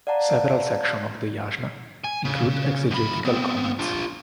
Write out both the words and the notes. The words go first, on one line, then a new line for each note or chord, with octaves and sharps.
Several sections of the "Yasna" include exegetical comments.
D5 F5 F#5 A5 A#5
G#5
C#3
F#2 B5
B3 C4
D4 F4